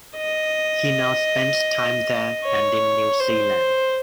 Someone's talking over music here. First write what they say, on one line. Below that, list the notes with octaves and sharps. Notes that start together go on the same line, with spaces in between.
He now spends time there and in New Zealand.
D#5
C#5
C5